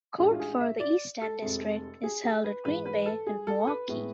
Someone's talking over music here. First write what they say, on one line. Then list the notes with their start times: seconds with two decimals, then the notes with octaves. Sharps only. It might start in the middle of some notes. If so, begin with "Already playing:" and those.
Court for the Eastern District is held at Green Bay and Milwaukee.
0.18 A1 A2 G#3 D4 G#4
0.31 F4
0.40 G#4
0.60 E5
0.80 D5
1.21 A4
1.42 F1 F2 C3 G#3
2.03 G#4
2.24 G#4
2.44 B4
2.65 G#2 E3 G#3 B4
2.86 B4
3.06 A4
3.27 G#4
3.47 A4
3.67 B4
3.88 A2 G#3 B3